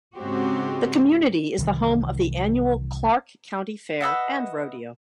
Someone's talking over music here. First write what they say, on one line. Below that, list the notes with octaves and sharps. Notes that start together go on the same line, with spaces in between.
The community is the home of the annual Clark County Fair and Rodeo.
G#2 C#3 G#3 C4 F#4 G4
C2 D#3 E3
B4 D#5 E5 F#5